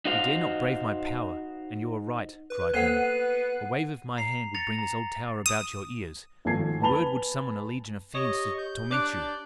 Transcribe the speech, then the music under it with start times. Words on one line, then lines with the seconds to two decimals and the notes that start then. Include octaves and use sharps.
"You dare not brave my power, and you are right," cried Herne--"a wave of my hand would bring this old tower about your ears--a word would summon a legion of fiends to torment you."
0.05 D#4 F#4 C5 F5
2.50 B4
2.74 A#3 B3 A4 C5 F#5 F#6 C7 D#7
4.17 A#5 C7 F7
4.55 A6 A#6 C#7 F7
4.79 A#5
5.46 D#6
6.45 G#1 F3 A3 G#5 G#6 C7
6.81 B3 G#5 A5 B5 F7 G7
8.15 G4 C#5 D#5 C#6
8.58 G6
8.91 D4 D5 D6 F#6 D7